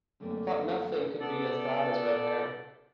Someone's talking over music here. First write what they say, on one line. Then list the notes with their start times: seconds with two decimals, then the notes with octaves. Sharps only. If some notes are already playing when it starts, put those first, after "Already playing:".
I thought nothing could be as bad as red hair.
0.20 F#2 D3 G3 A3 A#3 C4
1.20 B3 A4 D5